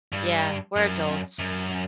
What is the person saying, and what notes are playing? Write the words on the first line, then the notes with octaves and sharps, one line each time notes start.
Yeah, we're adults.
G2
F#2
F#2